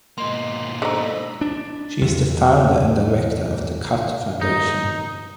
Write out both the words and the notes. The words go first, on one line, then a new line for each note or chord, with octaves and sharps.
She is the founder and director of the Khatt Foundation.
G#2 B2 A#3 D#5 C6
D3 D#4 A4 C5 D#5 B5 E6
D4
E2
D#4